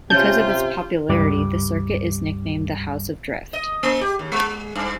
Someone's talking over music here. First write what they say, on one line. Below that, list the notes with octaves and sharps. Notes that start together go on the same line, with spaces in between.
Because of its popularity, the circuit is nicknamed the "House of Drift".
C3 C#4 F4 G4 A5 G6
C#2 G2 G3 D6
D#5
A#3
G4
D#2
G#3
G2